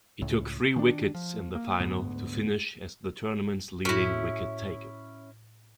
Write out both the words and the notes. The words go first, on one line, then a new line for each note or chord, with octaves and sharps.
He took three wickets in the final to finish as the tournament's leading wicket-taker.
C#2 A2
D#3 D4
F3
A#3
D2 G#2 B3
A2 C#4 E4 F#4 A#6